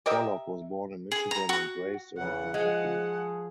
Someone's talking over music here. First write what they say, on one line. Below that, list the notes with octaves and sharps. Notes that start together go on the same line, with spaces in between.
Pollock was born in Michigan and raised in Kentucky.
G4 A#4 D#5 E5
G#4
A#5
F#4
E2 C#3 F#5
F3 G#3 G#4